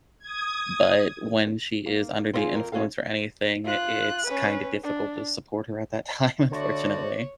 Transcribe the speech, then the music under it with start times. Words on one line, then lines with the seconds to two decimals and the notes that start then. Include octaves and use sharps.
but when she is under the influence or anything, i it's kinda difficult to support her at that time, unfortunately.
0.19 D#6 G#6
1.86 A#3
2.34 C4 E4 F4 G4 G#4 C5
2.53 F2 C4 A#4
2.72 G#3 B3 C#4 F#4 A4 F5
3.65 F4 F#6
4.26 C#4 B4
4.83 D4
6.52 D3 A3 F#4 C#5 D5